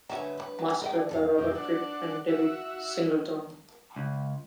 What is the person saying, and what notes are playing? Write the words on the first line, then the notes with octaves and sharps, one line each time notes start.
Mastered by Robert Fripp and David Singleton.
D2 F#3 C#4 B4 E5
B4
F#3
G#3 A#4 D#5 G5
D4
E2 A4 F5
F2 A#2 G4
D4 F#5
F#4 E5
C#2